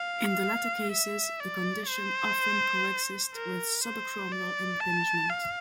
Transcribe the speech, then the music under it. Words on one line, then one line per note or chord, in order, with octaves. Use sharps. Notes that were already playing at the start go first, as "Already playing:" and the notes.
In the latter cases the condition often co-exist with subacromial impingement.
Already playing: F5
E5
D5
C5
A#4
C5
D5
A5
F5